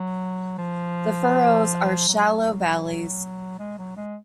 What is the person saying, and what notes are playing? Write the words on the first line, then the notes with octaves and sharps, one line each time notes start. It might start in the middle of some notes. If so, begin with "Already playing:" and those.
The furrows are shallow valleys.
Already playing: F#3
F3
F#3
G#3
F#3
G#3